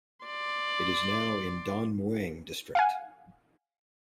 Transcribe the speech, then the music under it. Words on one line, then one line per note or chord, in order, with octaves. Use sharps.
It is now in Don Mueang District.
D5 C6
F5 F#5 G#5